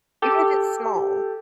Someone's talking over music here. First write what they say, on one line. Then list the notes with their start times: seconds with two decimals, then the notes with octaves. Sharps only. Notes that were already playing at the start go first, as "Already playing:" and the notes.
even if it's small,
0.22 G4 A4